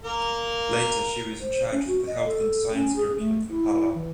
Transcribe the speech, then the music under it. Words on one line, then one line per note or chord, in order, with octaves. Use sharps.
Later she was in charge of the Health and Science Curriculum for Palau.
A#3 A#4
C5
C#4
F#4
D#5
A4
C#4
G#4
A3
E4
E3